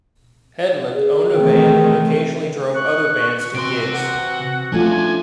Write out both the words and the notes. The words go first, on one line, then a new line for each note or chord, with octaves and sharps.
Hedlund owned a van and occasionally drove other bands to gigs.
G#4
C3 D#3 E3 A3
C#6 F#6
C3 E3 C4 F#4 C6 D7
F#5
F3 A3 C#4 D4 F4 G#5